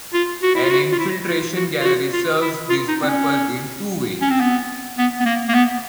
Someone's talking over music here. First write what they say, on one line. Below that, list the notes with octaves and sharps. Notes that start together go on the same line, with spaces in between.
An infiltration gallery serves this purpose in two ways.
F4
F#4
E4
F4
F#4
F4
E4
F4
F#4
F4
F#4
F4
E4
F4
D#4
C4
C#4
C#4
C4
B3
B3
B3
A#3
A#3
B3